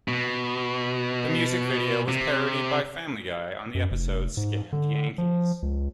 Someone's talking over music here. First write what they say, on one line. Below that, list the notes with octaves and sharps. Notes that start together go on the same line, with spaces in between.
The music video was parodied by Family Guy on the episode "Scammed Yankees".
B2
C3
F#2
F1
G#2
D3
F3
C#2